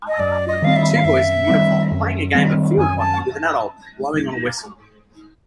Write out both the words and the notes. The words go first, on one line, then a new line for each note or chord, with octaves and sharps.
Two boys in uniform playing a game of field hockey with an adult blowing on a whistle.
D#5
F#2 D5
D#5
D#3 G3 C4 F5
E5
F5
F#2 E5
D#3 G3 C4
F#2
D#3 G3 C4
F#2 G#5
A5